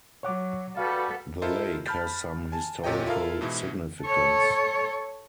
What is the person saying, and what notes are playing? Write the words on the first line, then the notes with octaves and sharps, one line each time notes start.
The lake has some historical significance.
F#3 C#5 F#5 D6
G3 F#4 A4 B4 F5
E4 F4 A4 A#4 C5 D#5
A5 B5 F6 G6 A6
G#5 A5
D2 A#2 G4 C#5 D#5 G5
E4 F4 A4 A#4 F5
G#2 B2 E3 E4
A4 C#5